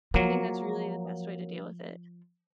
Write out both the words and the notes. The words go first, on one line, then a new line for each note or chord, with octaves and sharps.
I think that's really the best way to deal with it.
F3 F#3 A#3